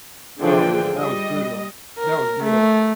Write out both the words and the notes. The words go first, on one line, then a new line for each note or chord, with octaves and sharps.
Oh, yeah, that was brutal. That was brutal.
D3 E3 F3 D4 G#4 G5
G3 D#5
A#4
A3